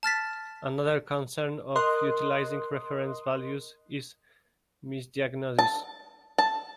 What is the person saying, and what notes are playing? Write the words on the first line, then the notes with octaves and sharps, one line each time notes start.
Another concern of utilizing reference values is misdiagnosis.
A5 F6 A6 B6
A#4 D#5 C6 D#6 F#6
A5
A5